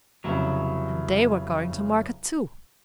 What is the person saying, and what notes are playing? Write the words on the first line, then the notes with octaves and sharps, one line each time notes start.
And they were going to market too.
F1 C#3 F#3 E4